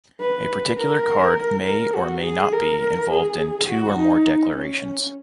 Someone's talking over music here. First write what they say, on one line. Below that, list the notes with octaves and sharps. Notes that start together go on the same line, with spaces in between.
A particular card may or may not be involved in two or more declarations.
B4
A#4
A#4
F#4
G#4
A#4
G#4
F#4
D#4
C#4